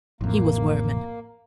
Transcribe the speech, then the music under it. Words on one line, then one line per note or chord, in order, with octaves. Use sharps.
He was wermin!
A1 F2 A2 A#3